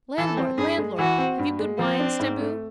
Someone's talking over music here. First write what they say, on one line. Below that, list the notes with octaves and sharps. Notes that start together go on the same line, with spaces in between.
Landlord, landlord, have you good wine, staboo?
E3 A4
C4
G2 G#4
G#3
E3 F#4
C4
G2
G#3
F3 C4
D4
G#2
A3